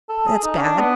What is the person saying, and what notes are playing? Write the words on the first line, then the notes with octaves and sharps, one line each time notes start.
That's bad!
A4
G#4
D#4
C#4
D4
B3